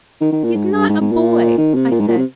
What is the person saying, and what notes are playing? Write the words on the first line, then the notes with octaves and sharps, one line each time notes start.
"He is not a boy," I said.
D#3
D#3
A#2
G#2
G2
G#2
G#2
A#2
D#3
C3
A#2
G#2
A#2
C3